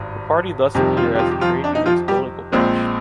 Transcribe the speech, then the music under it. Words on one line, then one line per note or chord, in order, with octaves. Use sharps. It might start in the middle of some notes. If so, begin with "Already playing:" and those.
The party thus appear as the trade unions’ political branch.
Already playing: G#1 G2
F2 C3 D#3 G3 G4
F3 F4
G4
F3 F4
G4
F3 F4
D4
D#4
F3 F4
G3 G4
A#1 A#2 G#3 C4